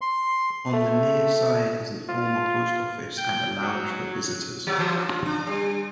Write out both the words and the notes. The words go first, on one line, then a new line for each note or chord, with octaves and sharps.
On the near side is the former post office and a lounge for visitors.
C6
A3
F4
G5
F#3
F3
E3
F4
D4
G3